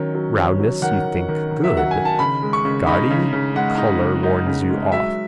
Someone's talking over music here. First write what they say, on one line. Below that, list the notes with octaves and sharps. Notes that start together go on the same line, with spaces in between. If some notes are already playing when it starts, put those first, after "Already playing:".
Roundness you think good. Gaudy colour warns you off.
Already playing: D#3 F#3 C#4
F#3
C#4
F#3
D#3 F#5
D#3
D#3
D#3
E5
F#3 F#5
G#5
D#3
A5
C#3 B5
G#3
C#6
C#3
D#4 B5
C#3
C#3
G#3 F#5
D#4
C#3
D#4
C#3
G#3
F#3 E5